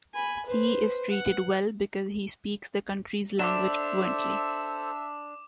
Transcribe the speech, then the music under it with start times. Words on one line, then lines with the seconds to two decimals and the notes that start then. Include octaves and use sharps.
He is treated well because he speaks the country’s language fluently.
0.15 G#5 B5
0.46 B4 C5
1.10 F#5
3.39 D4 A4 C5 E5 D6 E6 E7